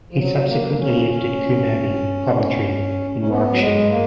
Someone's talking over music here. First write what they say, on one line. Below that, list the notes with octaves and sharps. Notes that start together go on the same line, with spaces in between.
He subsequently lived at Coombe Abbey, Coventry in Warwickshire.
F3
F#3
A#3
C#4
C#4
C#4
B3
F#3
G#3
A#3